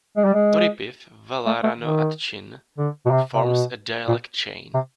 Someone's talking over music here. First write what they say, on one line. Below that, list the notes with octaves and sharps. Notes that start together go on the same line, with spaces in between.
Uripiv-Wala-Rano-Atchin forms a dialect chain.
G#3
G3
G#3
A3
A3
D#3
D3
B2
C3
C3
B2
A#2
C3